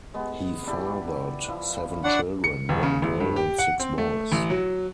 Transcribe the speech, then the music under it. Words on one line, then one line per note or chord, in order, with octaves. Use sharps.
He fathered seven children - one girl and six boys.
G#3 B3
D4 E4 G4
F3 E4
D4 C#5 F#5 A5
C#7
E1
C#3
A1
G2
G4
F#5
C4
A3
A1
F#3